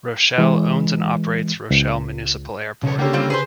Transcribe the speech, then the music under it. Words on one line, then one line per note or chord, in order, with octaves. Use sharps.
Rochelle owns and operates Rochelle Municipal Airport.
E3 G#3
C#2
B1 C#3 C#5
D3 A#3 C#4 G4
G3 C4 F4
G#4 A4 B4 C5